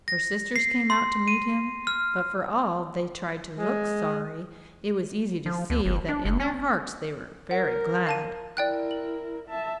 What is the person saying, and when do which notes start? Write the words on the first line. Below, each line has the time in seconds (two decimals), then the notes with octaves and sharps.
Her sisters came out to meet him, but for all they tried to look sorry, it was easy to see that in their hearts they were very glad.
0.08 A#6
0.56 C7
0.90 C6
1.28 D#7
1.87 F6
3.58 G#3
5.46 F3
5.70 D2
5.86 G1
6.08 D4
6.25 F#1
6.40 C#4
7.51 A#4 F#5
8.07 F5 A5 D#7
8.57 E4 A#4 D5 G5 F#6
8.91 F#7
9.48 E5 A5